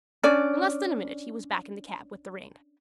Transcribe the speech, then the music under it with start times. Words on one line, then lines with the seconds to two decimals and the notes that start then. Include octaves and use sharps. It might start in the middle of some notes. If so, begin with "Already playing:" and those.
In less than a minute he was back in the cab with the ring.
0.23 C#4 D4 D5